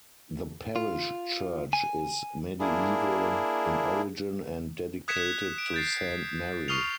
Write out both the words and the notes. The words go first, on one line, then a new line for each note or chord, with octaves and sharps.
The parish church is medieval in origin and dedicated to Saint Mary.
F4
G#5
A#3 D4 E4 G#4
D#6 F#6 G#6 B6 C#7 E7
D7
G6 A6 C7
C#6 D#6 F6 C7 F7